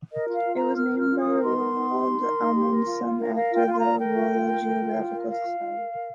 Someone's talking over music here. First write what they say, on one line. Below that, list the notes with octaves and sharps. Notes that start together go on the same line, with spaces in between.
It was named by Roald Amundsen after the Royal Geographical Society.
A#4 D#5
F4
F5
F4
A#5
A#4
A#4 F6
F4 F6
F4
D#6
A#4
D#4 C6
A#4
D#4
G4
D#4
A#4
D#4
G4
A#4
F4
F4
A#4
A#4 F5
F4
G5
F4
C6
A#5
A#4
A#4 G5
F4
F4
A#4
A#4
F4
F4
A#4
A#4 F5
F4
F4
A#4
A#4